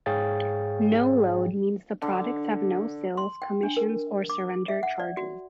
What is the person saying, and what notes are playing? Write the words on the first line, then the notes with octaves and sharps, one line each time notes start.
"No-load" means the products have no sales commissions or surrender charges.
G#2 G#4 C#5 F5 G5 A6
D3
C6
G5
D4
A#4
D6
E5
F#5
D5
F#4